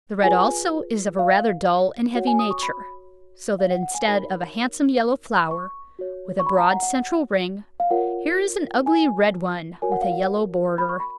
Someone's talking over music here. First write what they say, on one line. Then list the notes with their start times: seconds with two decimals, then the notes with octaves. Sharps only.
The red also is of a rather dull and heavy nature, so that instead of a handsome yellow flower with a broad central ring, here is an ugly red one with a yellow border.
0.23 F4 G#4 B4 G#5
1.19 F5
2.15 F#4 C#5 F#5
2.27 G#5
2.39 D#6
2.51 C#6
2.63 B5
3.59 F5
3.71 F#5
3.83 F#5
3.94 G#5
4.07 D#4 F#4 A#4 C#5 B5
5.51 C#6
5.99 F#4 C#5
6.40 C#6
6.46 B5
6.59 A#5
6.71 F#5
6.83 F#5
7.80 F5
7.91 F4 A#4 C#5 F#5
8.86 G#5
9.82 F#4 A#4 C#5 G#5
9.92 F#5
10.02 F5
10.12 F#5
10.78 B5
10.89 C#6
11.00 B5